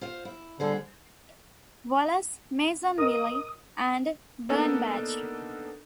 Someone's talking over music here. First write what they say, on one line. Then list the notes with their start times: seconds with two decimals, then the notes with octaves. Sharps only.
Wallace, Mason Wiley, and Birnbach.
0.01 F4 C5 F5
0.25 E4
0.60 D3 G3 G#4 C5
2.98 A#4 D#5 D#6
4.49 A#3 B3 D4 D#4 A4 A#4